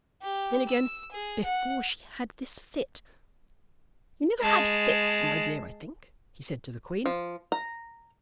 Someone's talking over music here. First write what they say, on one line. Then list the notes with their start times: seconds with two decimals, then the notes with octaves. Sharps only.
Then again--"BEFORE SHE HAD THIS FIT--" you never had fits, my dear, I think?' he said to the Queen.
0.22 G4
0.69 E6
1.12 G#4
1.44 F#5
4.41 G#3 A5
7.06 F3
7.52 A#5